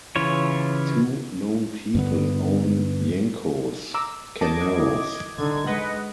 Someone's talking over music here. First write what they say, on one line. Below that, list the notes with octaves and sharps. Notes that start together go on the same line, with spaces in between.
Two known people own Yenko's Camaros.
C#3 E3 F4 C#5
G2 D3 B3
A#5 D6 E6
D#5 A5 D6 G#6
E4
D3 D#4 G#6
G#3 B4 D#5 F#5